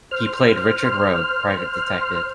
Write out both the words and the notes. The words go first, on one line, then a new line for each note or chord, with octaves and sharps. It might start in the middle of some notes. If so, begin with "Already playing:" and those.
He played Richard Rogue, private detective.
C5 F6